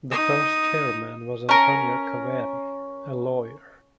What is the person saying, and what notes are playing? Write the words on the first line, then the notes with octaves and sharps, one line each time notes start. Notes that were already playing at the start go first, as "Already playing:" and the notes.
The first chairman was Antonio Caveri, a lawyer.
D#4 D#6
C#4 A#4